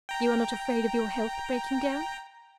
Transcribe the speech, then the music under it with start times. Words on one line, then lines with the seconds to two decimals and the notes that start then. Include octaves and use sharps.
"You are not afraid of your health breaking down?"
0.09 G5 A#5